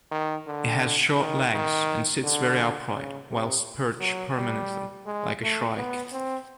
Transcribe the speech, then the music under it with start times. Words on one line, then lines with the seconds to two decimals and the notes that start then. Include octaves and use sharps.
It has short legs and sits very upright whilst perched prominently, like a shrike.
0.11 D#3
0.47 D3
1.17 D#3
1.53 D#3
2.23 D3
2.94 C#3
3.30 C3
4.00 F#3
4.36 G3
5.06 G#3
5.42 A3
5.77 B3
6.12 C4